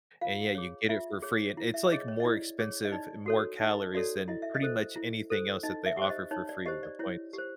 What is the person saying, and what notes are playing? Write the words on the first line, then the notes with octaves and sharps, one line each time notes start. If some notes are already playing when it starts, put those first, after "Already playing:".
and yeah, you get it for free, and it's, like, more expensive, and more calories, than pretty much anything else that they offer for free with the points.
F4 F5
G#4 C#5
F4 E5
G#4 C#5
E4
E5
G#4 C#5 D#5
C#5
D#5
E4 D5
G#4 C#5
D#5
D#4 D5
F#4 A4 C#5
D#4 D#5
F#4 A4 C#5 D5
E4 D#5
E5
D#5
A4 C5
E4
A4 C5
D#4 D#5
E5
G4 C5
D#5
D#4 C#5
D5
G4 C5 D#5
D5
E4 C#5
G4 C5